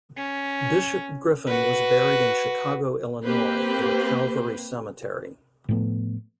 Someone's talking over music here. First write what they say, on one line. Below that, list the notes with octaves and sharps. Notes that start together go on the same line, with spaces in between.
Bishop Griffin was buried in Chicago, Illinois in Calvary Cemetery.
C#4
F#4 B4
A#3 C4 G4 B4 C5
A2 F3 A3 B3